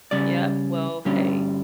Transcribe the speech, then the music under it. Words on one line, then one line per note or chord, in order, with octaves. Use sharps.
Yup, well hey,
C#3 G3 C#4 D5
G2 D3 G3 C#4